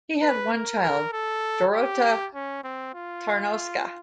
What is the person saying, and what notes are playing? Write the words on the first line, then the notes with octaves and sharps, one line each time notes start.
He had one child, Dorota Tarnowska.
B4
A#4
A#4
A4
G4
C#4
C4
F4